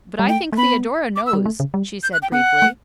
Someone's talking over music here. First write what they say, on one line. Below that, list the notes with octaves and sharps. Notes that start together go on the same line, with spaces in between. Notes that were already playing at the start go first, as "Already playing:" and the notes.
"But I think Theodora knows," she said, briefly.
G3
A3 G5
A3
B3 B5
D6
E6
G3
A3
C#3
G3
G6
F#6
G5
B3 F#5
A3